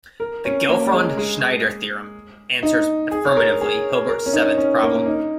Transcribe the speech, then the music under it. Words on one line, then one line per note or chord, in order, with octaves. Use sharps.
The Gelfond-Schneider theorem answers affirmatively Hilbert's seventh problem.
A#4
C#4
A#3
G#3
G#3
D#4
G#4
C#5
A#4
G#4
A#4
C#4
D#4
C#4
A#3
D#4